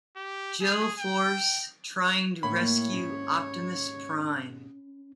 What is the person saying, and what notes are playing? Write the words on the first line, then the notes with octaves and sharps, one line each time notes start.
Joe force trying to rescue Optimus Prime.
G4
G#4
G5
A2 A#3 C#5 B5
D#2 G#2 C#4